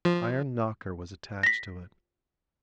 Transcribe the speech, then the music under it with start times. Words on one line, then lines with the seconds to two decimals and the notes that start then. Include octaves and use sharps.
An iron knocker was attached to it.
0.05 F3
1.43 A#6 B6